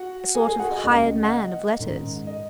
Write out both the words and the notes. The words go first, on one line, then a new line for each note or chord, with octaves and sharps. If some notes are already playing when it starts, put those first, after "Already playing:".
A sort of hired man of letters!
Already playing: F#4 F#5
G#4 G#5
G#4 G#5
F#4 F#5
D#5
C#2 C#3 A#3 D#5
D#5
F#5
D#5
G#2 D#3 G#3 C#4
D#5